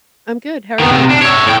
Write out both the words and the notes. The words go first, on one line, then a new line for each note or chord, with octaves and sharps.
I'm good, how are you?
D#3 B3
C3
D4
C#5 E5
A2 G5